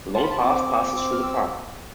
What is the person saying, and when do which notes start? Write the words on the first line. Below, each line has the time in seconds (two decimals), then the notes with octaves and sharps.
The Long Path passes through the park.
0.14 F4 A5
0.23 B5
0.31 A5
0.42 C4 D6
0.68 C4
0.95 C4
1.12 F6
1.22 C4 E6